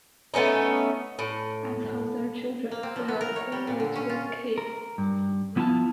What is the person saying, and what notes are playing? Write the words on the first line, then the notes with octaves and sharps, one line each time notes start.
As for their children, well, who knows with kids?
A3 B3 C#4 D#4
A2
A#3
C4
F3
B3
A#4
C#5
G3
A#2
D3
C#4
F4
A#4
G2
F3 B3 E4 F4 A5